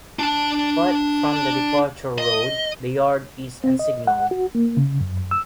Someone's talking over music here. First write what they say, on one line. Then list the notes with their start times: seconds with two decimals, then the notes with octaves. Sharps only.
Apart from the departure road, the yard is unsignalled.
0.19 D4 A5
2.18 D#5
3.64 C4
3.79 D#5
4.07 F#5
4.31 F#4
4.55 A#3
4.77 C#3
5.01 F#2
5.31 E6